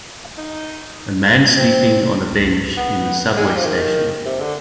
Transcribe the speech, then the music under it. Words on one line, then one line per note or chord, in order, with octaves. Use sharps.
A man sleeping on a bench in a subway station.
D#4
C4
B3
G#3
G3
F3
D#3
C3
D3